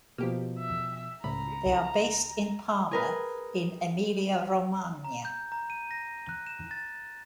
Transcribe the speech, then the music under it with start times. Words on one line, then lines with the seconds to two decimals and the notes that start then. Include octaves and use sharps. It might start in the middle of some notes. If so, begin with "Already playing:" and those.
They are based in Parma in Emilia-Romagna.
0.18 B2 F3 A#3 G4
0.58 E5
1.24 C#2 A2 A#5 B5
1.66 C2
2.91 G#4 A#4 B4
5.04 A#5
5.25 G6
5.52 A#5
5.70 D#7
5.91 A#6
6.29 F#6
6.47 E7
6.71 A6